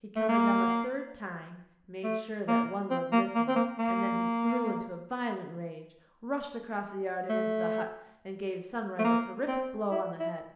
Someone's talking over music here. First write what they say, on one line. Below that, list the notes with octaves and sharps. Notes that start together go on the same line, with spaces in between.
He counted them a third time, made sure that one was missing, and then he flew into a violent rage, rushed across the yard and into the hut, and gave Sunrise a terrific blow on the head.
A3
A#3
A3
A#3
C4
A#3
A#3
C4
A#3
A#3
A3
A3
A#3
C4
E4
E4